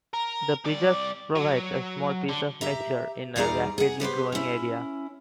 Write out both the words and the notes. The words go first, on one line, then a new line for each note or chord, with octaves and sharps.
The preserve provides a small piece of nature in a rapidly growing area.
A#4
C2 D5
F#3
D3
G4 E5 A#5
E2 G3 D#4 G#4 D5 A#5
G#4 F#5
B3 G4 B4 C5
C#4 E4